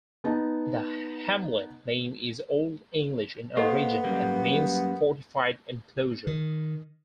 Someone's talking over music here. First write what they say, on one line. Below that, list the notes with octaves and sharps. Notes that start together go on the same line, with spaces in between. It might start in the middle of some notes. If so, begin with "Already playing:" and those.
The hamlet name is Old English in origin, and means 'fortified enclosure'.
B3 D#4 A5
A#3 B3 G4 A4 C5 D#5 F5
F#2 G3 A#3
D#3